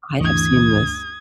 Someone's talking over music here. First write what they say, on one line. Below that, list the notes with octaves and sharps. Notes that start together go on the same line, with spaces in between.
I have seen this.
D2 G2 E3 D#6 G#6